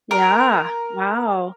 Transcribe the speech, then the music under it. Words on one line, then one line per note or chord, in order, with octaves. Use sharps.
Yeah. Wow.
A#4